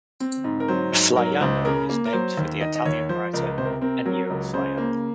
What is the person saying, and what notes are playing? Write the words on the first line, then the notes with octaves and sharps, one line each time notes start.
Flaiano is named for the Italian writer Ennio Flaiano.
C4
G#2
A#4
F#3 C5
G#2
F#3 A#4
C#2 C5
C#3 A#4
A#3
A#4
F#3 C5
D#2
D#3 D#5
D#5
D#2 C#5
F3 C5
C#2 A#4
C3 C5
A#4
C4 A#4
F#3 A#4
C#2
C#3 C5
A#3